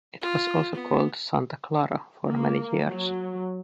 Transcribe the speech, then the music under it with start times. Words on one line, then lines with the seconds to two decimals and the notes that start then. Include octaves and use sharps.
It was also called Santa Clara for many years.
0.21 F4
0.74 B3
2.26 A#3
2.87 F#3